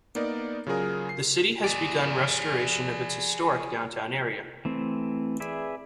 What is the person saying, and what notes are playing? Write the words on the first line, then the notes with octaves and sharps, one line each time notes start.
The city has begun restoration of its historic downtown area.
A#3 B3 D#4 A#4 D5
C#3 F#3 F4 G#4 A#4
C7
G#4 D5
E3 A3 C4
G#4 B4 D5 E5